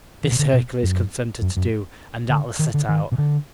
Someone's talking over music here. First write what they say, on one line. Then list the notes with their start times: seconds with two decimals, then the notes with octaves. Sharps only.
This Hercules consented to do, and Atlas set out.
0.24 D#3
0.32 B2
0.39 D3
0.53 B2
0.83 F#2
1.42 F#2
1.57 F#2
2.29 D3
2.59 D#3
2.74 D3
2.89 D#3
3.12 B2
3.18 D3